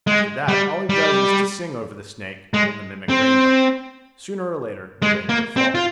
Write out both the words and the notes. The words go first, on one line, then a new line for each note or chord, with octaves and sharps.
After that all he does is to sing over the snake and the mimic rainbow; sooner or later the rain will fall.
G#3
G3
G3
G#3
C4
G#3
A#3
C4
F4